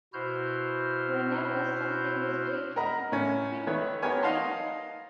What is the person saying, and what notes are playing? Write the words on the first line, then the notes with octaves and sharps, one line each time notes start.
Whenever something was breaking, he wanted to be there.
B2 E4 F#4 C5 F6 G6
A#4 D#5 F#5 A#5 B5
A2 C#4
D#3 A3 B4 C#5
B3 G4 A#4 C#5 G#5
D#4 D#5 F5 F#5 A5 C6